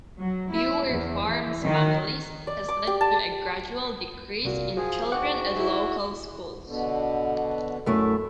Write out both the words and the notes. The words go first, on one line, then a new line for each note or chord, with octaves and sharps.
Fewer farms families has led to a gradual decrease in children at local schools.
F#3
E4
E2
E3
D#3
D5
D6
G4
A5
C2 A#2 F#4
F3 F#4 G#4
G#2 F#4 F#5 G5 D6
E4 G#4
B2 D3
F#2 A3 E4